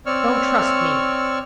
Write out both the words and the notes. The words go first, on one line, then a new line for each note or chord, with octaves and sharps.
"Don't trust me!"
C4 C#5 D5 C#6 E6 F6